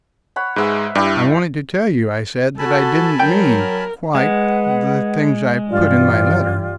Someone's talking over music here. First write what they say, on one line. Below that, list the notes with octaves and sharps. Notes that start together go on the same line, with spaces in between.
"I wanted to tell you," I said, "that I didn't mean quite . . . the things I put in my letter."
C#5 F#5 B5
G#2 G#3 B4 E5 F#5
G2 E4 G4 D5
F#4 A4 G#5 A5 B5
F#3 A#4 G5
G#3 B4 F#5
G2 E3 F4 G4 D5